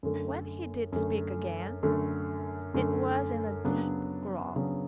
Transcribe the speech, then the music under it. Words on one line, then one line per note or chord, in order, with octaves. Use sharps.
When he DID speak again, it was in a deep growl.
F#2 D3 A3
F#2 D3 A3
F#2 D3 A3
F#2 D3 A3
C#3 F#3 B3 D4
C#3 F#3 B3 D4